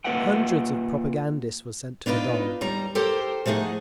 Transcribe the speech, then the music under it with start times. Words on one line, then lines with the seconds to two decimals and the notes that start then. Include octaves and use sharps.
Hundreds of propagandists were sent to the Don.
0.04 A#3 F4 B4 E5 F#5 G5
2.06 B3 D4 D#4 F4 B4
2.61 D#2 G3 A#5
2.95 G4 A4 A#4 C5
3.46 F3 A3 D#4 G#4 F#5